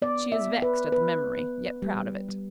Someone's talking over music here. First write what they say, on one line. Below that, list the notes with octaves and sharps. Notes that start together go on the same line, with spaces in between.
She is vexed at the memory, yet proud of it.
B3 D5
E5
B3
B4
B3 B4
B3
G3
G3